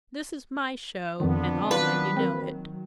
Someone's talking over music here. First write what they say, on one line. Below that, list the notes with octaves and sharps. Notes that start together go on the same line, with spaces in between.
This is my show, and I'll let you know it.
F2 D3 D#3 F3 B3 C4 D4
D#3 F#3 F4 B4
A#3 C4